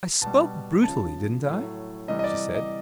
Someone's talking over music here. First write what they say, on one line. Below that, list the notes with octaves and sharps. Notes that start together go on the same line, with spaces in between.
"I spoke brutally, didn't I?" she said.
B2 G3 A5
C#3 F3 A5
A2 F#3
C3 E3 G3 D#5
D#5
D5
D#5